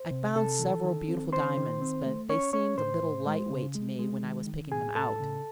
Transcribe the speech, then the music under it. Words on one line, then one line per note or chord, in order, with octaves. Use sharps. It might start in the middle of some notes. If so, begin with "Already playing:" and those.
I found several beautiful diamonds, but they seemed a little light weight to me when I was picking them out.
Already playing: C5
C3
C3 A4 A5
E3
D#3
C4
D#3 C5 C6
D#3
C4
A3
C#4 C#5 C#6
C#4 C#5 C#6
A2 C5 C6
A2
G#3
C#3
G#3
G#3
D#3
D#3
A2 G#4 G#5
A2 A4 A5
C#3